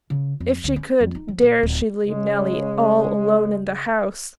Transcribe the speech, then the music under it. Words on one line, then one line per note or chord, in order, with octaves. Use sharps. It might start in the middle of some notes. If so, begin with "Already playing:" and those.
If she could, dare she leave Nellie all alone in the house?
C#3
F2
D2
C#4
F2
D#4
F3
A#2
D1
C#3 G#3